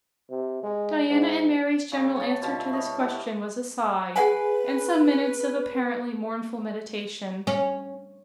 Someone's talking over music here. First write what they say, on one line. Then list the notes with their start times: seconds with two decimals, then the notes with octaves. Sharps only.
Diana and Mary's general answer to this question was a sigh, and some minutes of apparently mournful meditation.
0.30 C3
0.63 G#3
1.09 G#2
1.92 C#3 G#4
2.16 C#5 A5
2.42 B2 G3 F4 A5
2.59 E5
2.73 E3 C#5 D#5
2.99 B3 E4 G4 A#4
4.16 G#4 B4 F#5 G#5
7.47 C#4